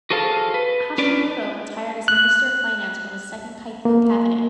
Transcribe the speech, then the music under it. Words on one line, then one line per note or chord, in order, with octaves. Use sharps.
Hashimoto retired as Minister of Finance from the Second Kaifu Cabinet.
F#4 G#4 A4 C5 F5 A5
B4
C#4 D4 B4 D5
F#6
A#3